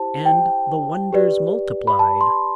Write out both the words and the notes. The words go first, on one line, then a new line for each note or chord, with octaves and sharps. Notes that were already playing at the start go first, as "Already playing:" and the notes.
And the wonders multiplied.
Already playing: E4 G4 C5 A5
G5
G4 B4 D5
B5
A5
C6